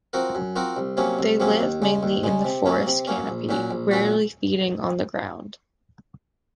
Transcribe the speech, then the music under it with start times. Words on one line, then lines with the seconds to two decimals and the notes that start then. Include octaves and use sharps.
They live mainly in the forest canopy, rarely feeding on the ground.
0.13 F3 C4 F#4 A#4
0.35 F#2
0.56 F3 C4 F#4 A#4
0.77 C2
0.97 C3 F#3 A#3 C#4
1.19 C2
1.40 C3 F#3 A#3 C#4
1.61 D#2
1.82 C#3 G#3
2.03 D#2
2.23 C#3 G#3
2.45 C3
2.66 F#3 A#3 C#4
2.86 C3
3.07 F#3 A#3 C#4
3.28 A#1
3.49 A#2 F#3 C#4 F#4
3.71 A#1
3.91 A#2 F#3 C#4 F#4